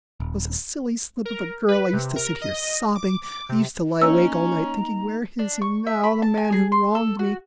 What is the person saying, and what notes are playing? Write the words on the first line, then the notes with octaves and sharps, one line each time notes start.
I was a silly slip of a girl; I used to sit here sobbing; I used to lie awake all night, thinking: 'Where is he now, the man who wronged me?
D#1
A#4
B4
C3
A#4
D#5
D6
D6
C3
A#3 C#4 D#4 A#5 E6
D4
C#6
E5
B5
A5
G#5
G#4
C6
A4
F#4